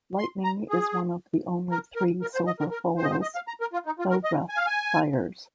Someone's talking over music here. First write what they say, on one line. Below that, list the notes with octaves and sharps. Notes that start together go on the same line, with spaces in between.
Lightning is one of the only three silver foals Thowra sires.
C6
A#5
G#4
A#4
A#4
A#4
C5
D#5
A#4
A#4
C5
D#5
C5
D#5
F5
A#5
A#4
F4
D#4
F4
A#4
D#5
G#5
F5
G#5